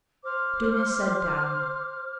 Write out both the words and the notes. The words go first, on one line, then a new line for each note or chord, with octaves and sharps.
Dounia sat down.
C5 D6 F6